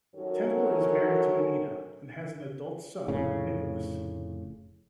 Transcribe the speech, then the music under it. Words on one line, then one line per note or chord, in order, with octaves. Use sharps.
Temple is married to Anita and has an adult son, Nicholas.
F#2 D#3 F#4 A4 A#4 C#5
F1 A2 C#3